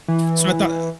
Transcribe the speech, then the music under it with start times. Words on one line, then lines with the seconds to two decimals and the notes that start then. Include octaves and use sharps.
so, I thought I
0.08 E3